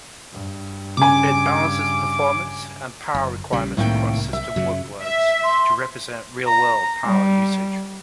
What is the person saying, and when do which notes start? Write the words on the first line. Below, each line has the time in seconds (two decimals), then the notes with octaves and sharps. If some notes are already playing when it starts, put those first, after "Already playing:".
It balances performance and power requirements across system workloads to represent real-world power usage.
0.33 G2
0.97 C#3 G#5 D6
3.15 F#1
3.53 A#1 C#3 G3
3.77 C2 A2 C3 D#3 A#3 G5
4.17 C2
4.33 E5
4.56 F#2 C#3 F#3
5.03 E5
5.44 C6
6.47 A#5
7.03 G3